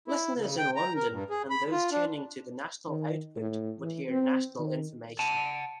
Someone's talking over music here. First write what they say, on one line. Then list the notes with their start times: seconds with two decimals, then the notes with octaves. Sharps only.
Listeners in London and those tuning to the national output would hear national information.
0.08 E4
0.37 C#3
0.58 G5
0.76 A#5
0.96 A#4
1.11 G2
1.30 G#4
1.50 B5
1.71 F4
1.92 D4
2.88 D#3
3.36 A2
3.80 E3
4.09 C4
4.59 D#3
5.19 F#5 A5